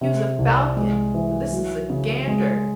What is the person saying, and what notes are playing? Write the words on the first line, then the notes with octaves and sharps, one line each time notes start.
He was a falcon, but this is a gander.
C3
C2
G#3
E3
F#3
C#3
G#3